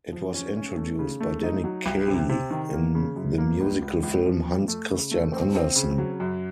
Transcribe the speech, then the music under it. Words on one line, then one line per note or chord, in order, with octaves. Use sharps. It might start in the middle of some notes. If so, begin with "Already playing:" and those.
It was introduced by Danny Kaye in the musical film "Hans Christian Andersen".
F3
C#4
C#4
A3
C#3
A3
D#4
F#3
C2
C3
C3
D#3
A#3
C#3
F#2
A#3
C#2
C#2
C#2
F3
F2
A3
C#3
A3
C4
C4
C#3
F#3
F#2